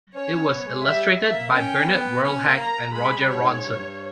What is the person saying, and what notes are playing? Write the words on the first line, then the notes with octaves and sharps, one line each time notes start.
It was illustrated by Bernard Verlhac and Roger Ronsin.
C#4 C#5
C#4
B3
G#3
G3 E5
E5
A#3
C#4 G5
B3
C#4
A#3
A#5
G#3 B5
G3
C#5
G2
G#2
G2